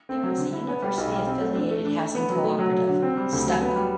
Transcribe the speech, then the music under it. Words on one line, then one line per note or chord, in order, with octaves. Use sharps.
There is a university-affiliated housing cooperative, Stucco.
C4
F#3
D3
E4
B3
G3
B1
G3
C4
A3
D4
A3
D4
A3
B3
F#3
A3
F#3
F#3
D3
C4
G3
D2
F#3
B3
G3